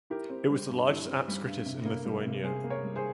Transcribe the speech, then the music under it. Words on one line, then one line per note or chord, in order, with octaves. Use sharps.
It was the largest apskritis in Lithuania.
E4 G4 A#4
C4
G3
G2
E4
C4
G3
G2
C3
A#3
G3
C3
C3 G#4 C5
A#3
A#4 C#5
G3
G#4 C5